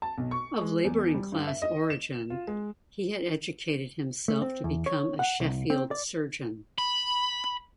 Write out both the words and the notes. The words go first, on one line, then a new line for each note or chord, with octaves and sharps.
Of labouring class origin, he had educated himself to become a Sheffield surgeon.
A5
B1
C#6
G#3
E2
G3
G2
E5
D#5
E7
F4
G#3
A3
C4
E2
C#5
F#5
C2
C4
D5
B5